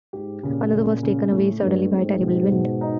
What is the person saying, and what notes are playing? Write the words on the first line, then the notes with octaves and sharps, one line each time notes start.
Another was taken away suddenly by a terrible wind.
G#2 G4
A#2 C#3
C#3
C#3
A2 A3
G2 A3
G#2 C4
B2
B2
D#4